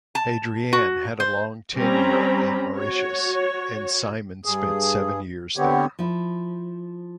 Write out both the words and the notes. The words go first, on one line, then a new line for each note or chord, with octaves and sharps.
Adriaan had a long tenure in Mauritius, and Simon spent seven years there.
A5
F#4
C5
G3 C4 C#4 G4 A#5 B5
F#4 C#5
G2 G#4
D3 B3 C4 G4 C#5
F3 E4